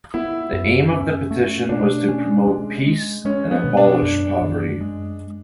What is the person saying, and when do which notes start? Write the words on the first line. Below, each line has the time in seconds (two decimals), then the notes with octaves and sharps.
The aim of the petition was to promote peace and abolish poverty.
0.14 B3 E4
0.53 F#2
0.92 C#4
1.31 A3
1.69 B2 D4
2.09 C#4
2.47 G#3
2.86 G#3
3.25 G#3 C#4
3.51 B3
3.64 B2
3.77 D4
4.03 F#2
4.41 F#2
4.81 G#3